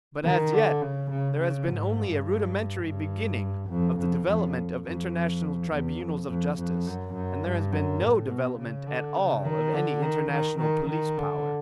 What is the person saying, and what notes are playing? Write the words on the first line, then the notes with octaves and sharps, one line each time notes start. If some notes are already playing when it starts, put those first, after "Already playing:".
But as yet there has been only a rudimentary beginning of the development of international tribunals of justice, and there has been no development at all of any international police power.
D#3
D3
C#3
C#3
C#3
G#2
G2
G2
F2
F2
F2
F2
E2
F2
F2
F2
F#2
F#2
G2
F#2
A2
B2
C#3
D3
C#3
D#3
D3
D#3
D#3
D#3
D#3
D3